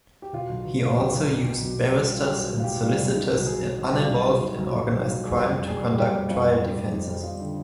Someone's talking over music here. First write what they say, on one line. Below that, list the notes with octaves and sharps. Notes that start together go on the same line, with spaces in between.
He also used barristers and solicitors uninvolved in organized crime to conduct trial defenses.
G4
B2 F4
B1
B2
B2 F4
B1 G4
B1
B2
B2
B1
B2
G3
G3
F4
G3 G4
B1
G#4
B1
F4
G4
B2
G3 F4
B1
B2 D#4
B1
B2 G#4
B2
B2
G4
G3
F4
B1 D#4
B1
B1 D#4
B1
B2 F4
B2
D#4
B1 F4
G3
G#4
F2 G4
F2
G3 G#4
G3
G#4
G3 G4
F2
F2 F4
F2
G3
G3
F2 D#4
F2
G3 F4
D3